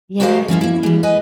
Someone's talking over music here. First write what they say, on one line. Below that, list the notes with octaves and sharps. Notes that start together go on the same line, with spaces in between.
Yes, see, uh,
F#4 G4 A#4 C5 D#5 F5
F3 C#4 E4 F4
A#3 E4
E3 G3
B4 D#5 G#5